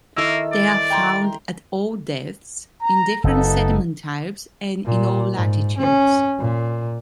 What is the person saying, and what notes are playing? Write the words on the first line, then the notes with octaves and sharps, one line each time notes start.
They are found at all depths, in different sediment types, and in all latitudes.
D#3 A#3 E4 A4 E6
D5
G5 A#5 C6
A#5
F#1 B3 D#4 A4
A#2
G#2
C#4
A#2